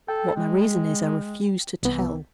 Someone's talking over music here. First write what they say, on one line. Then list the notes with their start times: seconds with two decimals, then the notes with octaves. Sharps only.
What my reason is, I refuse to tell.
0.08 A4 G5
0.35 G#3
1.83 C2 E3 B3